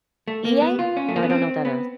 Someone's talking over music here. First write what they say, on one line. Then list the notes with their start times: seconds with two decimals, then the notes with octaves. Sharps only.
E-A? No, I don't know what that is.
0.28 A3
0.45 A#3
0.62 B3
0.79 F4
0.97 C#4
1.08 A3
1.16 A#3
1.23 B3
1.30 C4
1.65 B3